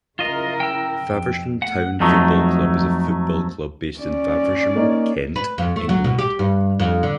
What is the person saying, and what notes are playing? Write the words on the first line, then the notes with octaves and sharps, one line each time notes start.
Faversham Town Football Club is a football club based in Faversham, Kent, England.
C#3 E4 F4 A#4 D#5
G5 E6
F2
A3 F#5
F2 F#3 A3 D#4
C#4 D5
A#3 D#4 C#5
B4
F2
A3
F#3
B2
G4
G2
F2
D3